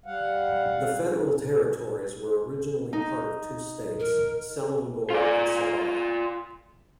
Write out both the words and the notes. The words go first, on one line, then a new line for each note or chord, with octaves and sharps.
The federal territories were originally part of two states - Selangor and Sabah.
G3 F5 F#5
D#4
A#4
F4 D5